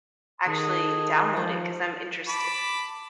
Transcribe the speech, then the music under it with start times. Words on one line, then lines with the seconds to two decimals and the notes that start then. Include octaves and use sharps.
actually download it 'cause I'm interested
0.46 D#3 G#4 A4
1.37 F3
2.28 A5 B5 D6